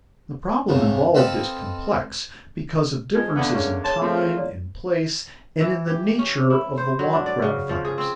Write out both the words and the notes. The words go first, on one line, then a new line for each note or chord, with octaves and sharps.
The problem involved is complex because of differences in time, in place, and in the nature of the want-gratifiers.
C2 G2 C#3
C4 A4 B4 D#5 F5 A5
F3 G#3 G#6
E2 D3 B3 F5
C#4 G#4 A#4 F5 C#6
C#5 A5 C6
A3 C4 F4
E4 C#5 D5
E3
G4
C#4
E4
C5
F#3
D4
D5
C#3
F3
G#4
C4